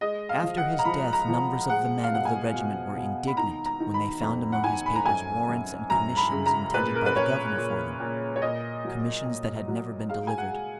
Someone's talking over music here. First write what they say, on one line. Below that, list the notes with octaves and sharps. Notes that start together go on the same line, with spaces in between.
After his death numbers of the men of the regiment were indignant, when they found among his papers warrants and commissions intended by the governor for them, commissions that had never been delivered.
G#3 D#5
F5
F3
F#5
A#5
F3 B5
A#5
F3
G#3 F#5
F5
B2 F#5
G#5
B2
B2
B5
D#3 A#5
A#5
D#3
B5
F2 A#5
F#5
D#3 G#5
B5
A#5
F#2 G#5
F#2
F#2 A#5
B5
C#3
A#5
A#2 B4
A#4
B4
A#2 C#5
A#2
A#2
C#5
A#2 D#5
F#3
A#2
F#3
G#3 F5
G#5
F#5
G#3